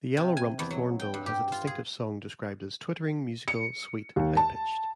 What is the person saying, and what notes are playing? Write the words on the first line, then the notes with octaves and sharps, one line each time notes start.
The yellow-rumped thornbill has a distinctive song described as "twittering, musical, sweet, high-pitched".
C3
G#5
E2
F#3
G5
G2
G4
F4
G#4
C#7
D#2
A5